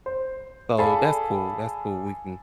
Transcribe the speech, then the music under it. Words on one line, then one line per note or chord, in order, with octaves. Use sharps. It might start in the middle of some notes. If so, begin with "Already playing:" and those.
So that's cool, that's cool, we can
C5
G#4 A4 D5 F5 B5